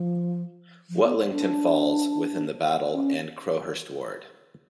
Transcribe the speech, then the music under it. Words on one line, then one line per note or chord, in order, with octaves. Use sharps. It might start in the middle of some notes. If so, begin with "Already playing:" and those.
Whatlington falls within the Battle and Crowhurst ward.
Already playing: F3
F3
B3
D4
C#4